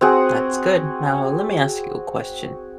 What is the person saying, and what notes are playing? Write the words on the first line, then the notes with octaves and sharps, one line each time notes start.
That's good, now let me ask you a question.
C4 F#4 G#4